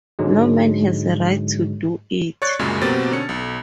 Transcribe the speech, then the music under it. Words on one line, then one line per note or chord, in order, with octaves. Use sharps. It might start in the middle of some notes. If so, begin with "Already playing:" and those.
No man has a right to do it.
G#2 D3 F#3 G#3
C#5 D5 C#6 F#6 A6 C#7
C2 F#2 A#2 C#3 F#3 G#3
B2 F#3 A#3 C4 G4 A6
D3 C#4 C#7
B1